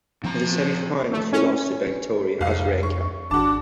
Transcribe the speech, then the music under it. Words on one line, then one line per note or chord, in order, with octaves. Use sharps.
In the semifinal she lost to Victoria Azarenka.
F3 C4 A#5
A3
C#4
C2 F2 F5
C#6
G#1 D4 F#4 A5 D6